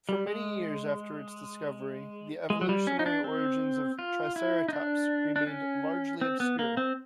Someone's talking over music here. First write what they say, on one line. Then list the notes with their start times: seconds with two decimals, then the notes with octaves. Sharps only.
For many years after its discovery, the evolutionary origins of "Triceratops" remained largely obscure.
0.09 G3
0.27 G#3
2.50 G#3
2.61 F#3
2.69 G3
2.87 C#4
2.99 D#4
3.06 D4
3.24 C4
3.99 F4
4.36 E4
4.68 D#4
4.73 D4
5.36 D4
5.47 C#4
6.21 C4
6.40 B3
6.59 A#3
6.77 C4